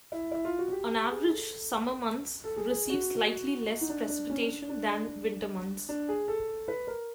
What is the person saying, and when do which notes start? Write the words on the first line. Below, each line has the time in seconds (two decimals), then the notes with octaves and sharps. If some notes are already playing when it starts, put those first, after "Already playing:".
On average, summer months receive slightly less precipitation than winter months.
0.12 E4
0.32 E4
0.45 F4
0.58 F#4
0.72 G4
1.11 G#4
1.30 A4
2.44 A4
2.57 G#4
2.70 G#4
2.89 F#4
3.81 D#4
3.89 D4
4.09 D4
4.30 C#4
4.42 D4
4.69 D4
5.89 D4
6.09 G#4
6.28 A4
6.68 B4
6.87 A#4